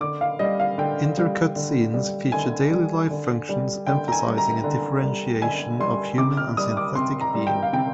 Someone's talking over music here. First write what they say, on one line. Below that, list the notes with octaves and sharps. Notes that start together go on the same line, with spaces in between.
Inter-cut scenes feature daily life functions, emphasizing a differentiation of human and synthetic being.
D3 D6
F5
G3 D#5
F5
D3 G5
G3
D3
G3
D3 G#5
G3
D3
G3
D3 G5
A#5
G#5
G3
A#5
D3
G3
D3 G#5
G3 C6
C3 D6
F6
G3 D#6
D6
C3 C6
A#5
G3
G5
F5
C3 G5